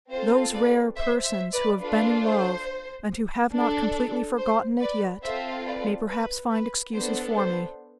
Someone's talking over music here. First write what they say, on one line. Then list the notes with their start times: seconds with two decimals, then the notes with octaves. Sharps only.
Those rare persons who have been in love, and who have not completely forgotten it yet, may perhaps find excuses for me.
0.10 C4 F4 A4 C5
0.52 B4 D5
0.96 C5 E5
1.24 C5 E5
1.53 B4 D5
1.80 D4 F4 A4 B4
2.23 C5
3.52 D4 A4
4.37 C5
4.80 B4 D5
5.23 C4 F4 A4 C5 E5
5.65 B4 D5
6.08 B4
6.50 B4
6.94 B3 D4 A4 C5
7.36 C5